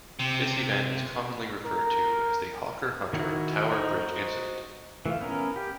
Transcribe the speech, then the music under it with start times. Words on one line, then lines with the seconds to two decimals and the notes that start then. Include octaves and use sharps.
This event is commonly referred to as the Hawker Hunter Tower Bridge incident.
0.19 C3
1.65 A#4
3.13 D#3 E4 F#4
3.72 F#4 C5 D#5 A#5 C#6
5.06 E3 A3 F4
5.21 B3 C#4 A#4
5.56 G4